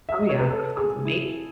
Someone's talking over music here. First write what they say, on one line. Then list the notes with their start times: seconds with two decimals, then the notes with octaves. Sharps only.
Oh yeah, that sounds amazing
0.09 E5
0.20 D#5
0.29 C#5
0.39 B4
0.50 A4
0.77 G#4
1.05 E4